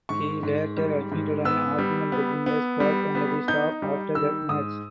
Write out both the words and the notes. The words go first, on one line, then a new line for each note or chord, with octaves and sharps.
He later admitted an argument between the squad and the staff after that match.
G#2 C#6
G#2
G3
G#2
B3 E6
G3
B3
B3
G3
B3
D#4 G6
G3
D#3 E6
G#2 D#6